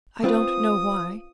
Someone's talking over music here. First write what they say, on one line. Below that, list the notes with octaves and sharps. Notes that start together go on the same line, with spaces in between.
I don't know why.
C4 F4 B4 D#6